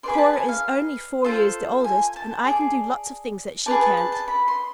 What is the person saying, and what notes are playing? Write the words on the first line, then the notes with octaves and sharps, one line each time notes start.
Cora is only four years the oldest, and I can do lots of things that she can't.
G#4 B4 D5 C6
B5
A5
G#5
F5
F4 A4 C5
G#5
A5
G#4 D5
G#4 B4 D5 A5
A5
A5
A5
B5
C6